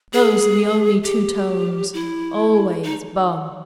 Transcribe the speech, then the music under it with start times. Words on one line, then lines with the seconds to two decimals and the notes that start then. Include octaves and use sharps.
Those are the only two tones. Always bum!
0.13 G#4
1.04 G4
1.94 E4
2.83 D#4